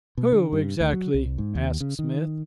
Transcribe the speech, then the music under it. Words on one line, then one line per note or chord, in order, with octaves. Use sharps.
"Who, exactly?" asked Smith.
B2
D3
G2
D2
F#3
C2
G#2
D#2
C#3
D#3